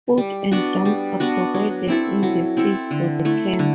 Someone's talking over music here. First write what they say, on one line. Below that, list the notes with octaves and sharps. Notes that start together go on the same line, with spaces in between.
Food and dorms are provided in the fees for the camp.
G3
B3 D4 F#4
G3
B3 D4 F#4
F#3
C4 E4 A4
F#3
C4 E4 A4
D3
A3 E4
D3